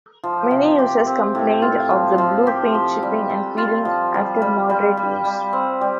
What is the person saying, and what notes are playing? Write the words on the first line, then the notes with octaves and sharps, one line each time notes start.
Many users complained of the blue paint chipping and peeling after moderate use.
F3
C3
G4
C4
A2
F4
F3
F3
G4
F3
G3
A4
F4
F3
G3
G3
G3
G3
G3
C4
G3